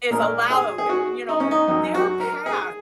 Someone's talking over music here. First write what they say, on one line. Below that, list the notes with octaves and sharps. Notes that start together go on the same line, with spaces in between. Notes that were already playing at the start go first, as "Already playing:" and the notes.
is allowed, you know? Their path
A#2 G#3 A#4
G#4
G#4
F#4
D#4
C#4
D#4
F#2 F#3 D#4
F#4
A#4
G#4